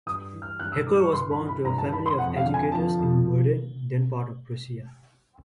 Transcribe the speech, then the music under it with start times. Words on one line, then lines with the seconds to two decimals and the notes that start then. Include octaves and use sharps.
Hecker was born to a family of educators in Werden, then part of Prussia.
0.06 G2 D#6
0.33 E3
0.42 F6
0.60 G2 F#6
0.72 E6
0.86 E3 D6
1.00 C#6
1.12 G2 C6
1.31 B5
1.38 E3
1.48 B5
1.65 G2 A#5
1.78 A5
1.92 E3 B5
2.06 C6
2.18 F2 F#5
2.36 F5
2.45 D3
2.54 G#5
2.71 F3 A5
2.99 F2